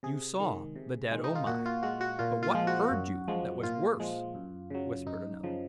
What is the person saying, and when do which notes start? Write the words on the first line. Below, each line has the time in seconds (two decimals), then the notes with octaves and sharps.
"You saw the dead O-Mai; but what heard you that was worse?" whispered another.
0.03 C3 G#4
0.40 D#3 G#3
0.76 C3
1.11 D#3 G#3
1.24 D#4
1.35 F4
1.47 A#2 F#4
1.66 F4
1.83 G#3 F#4
2.01 F#4
2.19 A#2 F4
2.43 F4
2.55 F3 G#3
2.67 F#4
2.91 F#2
3.28 F3 G#3
3.63 A#2 F4
4.00 F3 G#3
4.35 F#2
4.70 C#3 F#3
5.07 F#2 D#4
5.43 C#3 F3